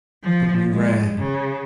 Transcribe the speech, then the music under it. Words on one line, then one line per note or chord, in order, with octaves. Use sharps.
But we ran.
F3
G#3
C#3